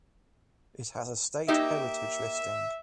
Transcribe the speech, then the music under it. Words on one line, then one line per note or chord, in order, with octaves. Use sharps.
It has a state heritage listing.
A#3 D#4 G4 E5